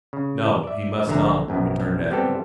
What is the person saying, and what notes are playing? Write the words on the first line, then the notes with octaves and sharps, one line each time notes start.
"No, he must not," returned Ethne.
C#3
D5 E5
A#1 D3 E5 A#5
A#1 F#2 B2
G3 B3 C4 G4 A4